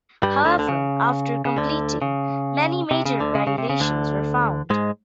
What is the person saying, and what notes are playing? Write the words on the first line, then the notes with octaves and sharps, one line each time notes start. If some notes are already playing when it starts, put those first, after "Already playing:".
However, after completing many major violations were found.
G2 G3
D2 D3
D3
C#3
C#3
D2 D3
C#3
C3
C#3
D2 D3
C#3
C#3
C3
C#3
D2 D3
G#2 G#3